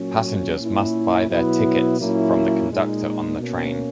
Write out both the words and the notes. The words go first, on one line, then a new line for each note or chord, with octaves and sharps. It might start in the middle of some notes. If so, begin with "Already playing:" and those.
Passengers must buy their tickets from the conductor on the train.
Already playing: A#2 F#3 A#3 C#4
A#2 A#3 C#4 E4
B2 F#3 B3 E4
A#2 F#3 A#3 C#4 E4
A#2 G#3 D#4
B2 A#3 C#4